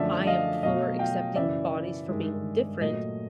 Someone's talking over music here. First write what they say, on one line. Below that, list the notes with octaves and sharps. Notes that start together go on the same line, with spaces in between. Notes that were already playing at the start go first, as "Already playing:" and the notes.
I am for accepting bodies for being different,
Already playing: F#2 D3 F3 A3 D5 E5
D#5 F5
B2 F#3 A3 D#5 F5
F5 G5
F#2 C#3 E3 D5 E5
G2 D#3 G#3
A#2 F#3 A3 D#5